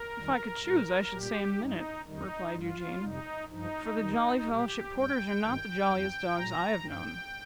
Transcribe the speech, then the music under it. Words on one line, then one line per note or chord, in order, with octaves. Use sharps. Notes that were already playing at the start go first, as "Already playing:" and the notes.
'If I could choose, I should say a minute,' replied Eugene, 'for the Jolly Fellowship Porters are not the jolliest dogs I have known.
Already playing: A#4
F2 D#3 G3
A#2 G3
A#2 G3 G4
G2 G3 D#4
F2 D#3 G3 D#4
G2 G3 F4
F2 C3 G3 D#4
G2 F3 D#4
F2 D#3 G3
A#2 G3 G4
G2 G3 G5
G2 D#3 G3
F2 F3
A#2 G3 A#5
G2 F3 G5